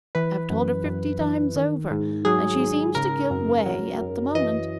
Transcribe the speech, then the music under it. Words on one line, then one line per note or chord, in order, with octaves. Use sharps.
I have told her fifty times over, and she seems to give way at the moment.
E3 B4
F#2
F#2
E3
D#3
G#2
F#3 G#4
G#2
C#3 A#4
F#2
F#3
F#2
E3 D#5